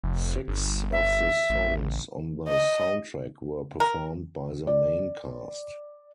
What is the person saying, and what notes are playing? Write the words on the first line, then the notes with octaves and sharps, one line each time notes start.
Six of the songs on the soundtrack were performed by the main cast.
F1
G1
E5
A1
D#5
A#4
D5